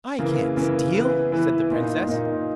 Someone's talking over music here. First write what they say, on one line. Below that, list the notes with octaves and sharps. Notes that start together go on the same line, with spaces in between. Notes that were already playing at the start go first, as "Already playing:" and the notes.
'I can't steal', said the Princess.
C#3 E3 A#3
C#3 E3 A#3
E3 B3 E4 B4
E3 B3 E4 B4
A#2 A#3 D#4
A#2 A#3 D#4